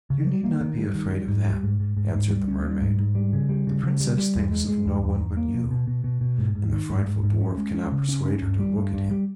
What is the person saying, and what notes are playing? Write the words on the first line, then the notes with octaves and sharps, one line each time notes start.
"You need not be afraid of that," answered the Mermaid, "the Princess thinks of no one but you, and the frightful Dwarf cannot persuade her to look at him."
C#3
G3
A#3
D#3
G3
D#3
G3
G#2
G3
G#2
G#2
G#2
G#2
G3
C#4
G3
G#2
G#2
G3
C#3
G3
C#3
C#3
G3
G3
E2
G#3
G#3
E2
E2
E2
A#3
B2
B2
B2
B2
B2
G#2
G#2
D#3
G#2
G#2
G#2
C#4
G#3
C#4
C#3
C#4
C#4
G2
G3
G2
G2
G3